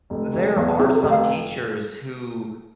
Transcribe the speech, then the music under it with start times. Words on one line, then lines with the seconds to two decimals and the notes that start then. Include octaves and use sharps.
there are some teachers who
0.10 F1
0.33 F1
0.56 E2
0.79 C3 G#4
0.94 A4
1.02 F1
1.10 F5